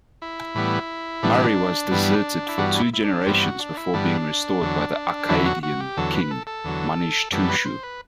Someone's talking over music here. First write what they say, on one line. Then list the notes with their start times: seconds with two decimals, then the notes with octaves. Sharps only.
Mari was deserted for two generations before being restored by the Akkadian king Manishtushu.
0.22 E4
0.55 A2 E3 G3 B3
1.22 A2 E3 G3 B3 D4
1.91 G2 E3 G3 B3
2.49 E4
2.58 G2 E3 G3 B3 F#4
2.75 D4
2.81 E4
2.94 E4
3.04 D4
3.26 G2 E3 G3 B3 C4
3.43 F#4
3.59 D4
3.77 E4
3.94 G2 E3 G3 B3 D4
4.61 E2 D3 F#3
5.28 E2 D3 F#3 E4
5.46 F#4
5.63 F#4
5.80 G4
5.97 E2 D3 F#3 A4
6.14 B4
6.31 A4
6.47 A4
6.64 E2 D3 F#3
7.31 F#2 E3 G3 B3 A4
7.50 B4
7.65 C5
7.83 B4